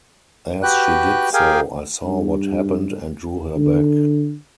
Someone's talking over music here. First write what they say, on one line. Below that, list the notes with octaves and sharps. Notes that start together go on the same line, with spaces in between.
As she did so, I saw what happened and drew her back.
F#4 G4 B4 G5 F#6
G4 G#4 A#4 F5 G5 G#5
G2
D3